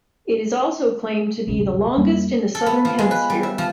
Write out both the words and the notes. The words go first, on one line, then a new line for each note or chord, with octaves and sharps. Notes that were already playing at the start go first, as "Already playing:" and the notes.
It is also claimed to be the longest in the southern hemisphere.
E1 A#1 C#3 G3
F2 G3 A#3
A4
B3
F3
G#3
B4
G3
E5
F3